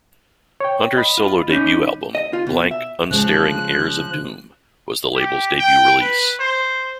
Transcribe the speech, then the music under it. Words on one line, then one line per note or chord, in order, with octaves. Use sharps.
Hunter's solo debut album "Blank Unstaring Heirs of Doom" was the label's debut release.
C#5 G5
D#5 B5
F4
C#4 D#4
D#5
F4
B2
E5
C#3 F3 G#3 F#6
G4
G5
B4
C5